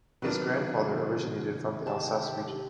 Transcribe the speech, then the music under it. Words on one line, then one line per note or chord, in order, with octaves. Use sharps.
His grandfather originated from the Alsace region.
C3 D#3 F#3 D4 A#4 B4
D3 G4 A5